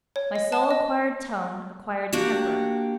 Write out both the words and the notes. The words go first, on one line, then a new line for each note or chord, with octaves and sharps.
My soul acquired tone--acquired temper.
C#5
D#5
A5
D#5
A#3 D4 F#4 G4